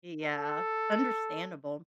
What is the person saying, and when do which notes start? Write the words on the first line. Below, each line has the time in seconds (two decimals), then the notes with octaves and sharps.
Yeah, understandable.
0.23 A4